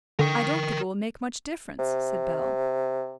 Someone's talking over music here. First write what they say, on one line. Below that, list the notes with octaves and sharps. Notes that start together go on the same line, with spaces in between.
"I don't think it will make much difference," said Bell.
D3 A#4 G5
C3